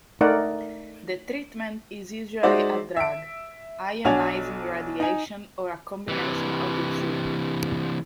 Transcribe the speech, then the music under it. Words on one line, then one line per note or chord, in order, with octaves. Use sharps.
The treatment is usually a drug, ionizing radiation, or a combination of the two.
A3 D#4 A#4 D5 F#5
G#3 D#4 F#4 C5 D5 E5
E5 D7
B1 D4 F#4 C#5 G#5 F7
D#4 G#5
C3 E3